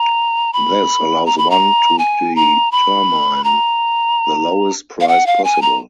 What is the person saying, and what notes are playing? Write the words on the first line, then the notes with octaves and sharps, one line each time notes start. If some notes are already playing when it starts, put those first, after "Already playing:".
This allows one to determine the lowest price possible.
Already playing: A#5
B5
A#5
B5
A#5
G#5
A#5
B5
A#5
F5
F#5
F5
G#5
A#5